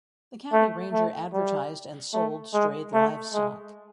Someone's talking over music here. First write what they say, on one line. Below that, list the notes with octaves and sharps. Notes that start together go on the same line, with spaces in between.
The county ranger advertised and sold strayed livestock.
A3
A3
G3
A3
G#3
A3
G#3